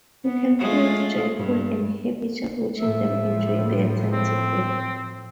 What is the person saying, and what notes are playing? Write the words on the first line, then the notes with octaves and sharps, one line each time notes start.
You can feel joyful and happy just watching them enjoy their time together.
B3
G#3 A3 F4
G2
A2 F3 E5
C4